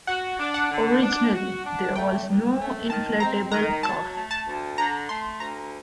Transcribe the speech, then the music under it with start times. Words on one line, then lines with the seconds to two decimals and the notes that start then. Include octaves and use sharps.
Originally, there was no inflatable cuff.
0.07 F#4 F#5
0.38 D4
0.54 F#5
0.70 D3
1.01 D4
1.33 F#4
1.64 D4
1.95 A3 G5
2.27 D#2
2.58 A3
2.90 D#3 A5
3.20 C4 A#5
3.52 D#3 A#5
3.83 F#3 A5
4.15 A3
4.31 A5
4.46 D2
4.77 D3 A#5
5.09 A3 C6
5.40 D2 A#5